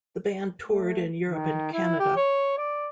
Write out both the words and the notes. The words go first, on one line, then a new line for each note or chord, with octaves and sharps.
The band toured in Europe and Canada.
A3
D#3
E4
G4
C#5
D5